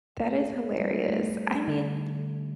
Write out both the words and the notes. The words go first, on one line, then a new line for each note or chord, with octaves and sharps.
That is hilarious. I mean,
A3
G3
A3
G3
A3
D3